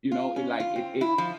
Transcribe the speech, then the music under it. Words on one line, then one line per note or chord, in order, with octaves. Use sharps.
You know, it like it it
F4
C#4
F4
C4
E4
F3